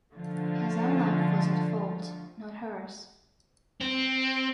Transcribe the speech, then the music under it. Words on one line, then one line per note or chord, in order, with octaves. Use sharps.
His own love was at fault, not hers.
D3 F3 A3 F4
C4